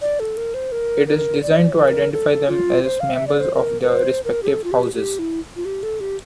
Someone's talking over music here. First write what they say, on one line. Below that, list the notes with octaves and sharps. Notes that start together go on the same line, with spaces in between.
It is designed to identify them as members of their respective houses.
D5
A4
A#4
C5
A#4
A#4
D5
A#4
A4
F4
C5
F5
E5
D5
C5
A#4
A#4
C5
A#4
G4
A4
F4
G4
G4
E4
F4
G4
A4
G4